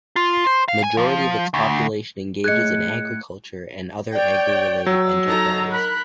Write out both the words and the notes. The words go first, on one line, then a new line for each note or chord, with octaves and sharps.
Majority of its population engages in agriculture and other agri-related enterprise.
F4
C5
F5
G#5
F3
D2
A2 G#4 D#5 F#6 G#6 C#7
C#5 D5 G5
F#3 E6
D#4 A4 A#5
A#4 B5 F#6